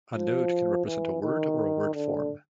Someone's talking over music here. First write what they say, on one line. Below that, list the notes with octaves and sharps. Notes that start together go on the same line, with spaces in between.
A node can represent a word or a word form.
F3
E3
D#3
D3